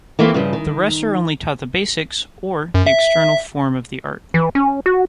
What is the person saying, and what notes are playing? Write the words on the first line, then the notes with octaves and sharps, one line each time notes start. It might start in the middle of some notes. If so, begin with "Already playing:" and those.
The rest are only taught the 'basics' or the external form of the art.
E3 A3 A#3 C4
G2 C#3 F3
D#3
F#2
E5
E3
C#4
F#4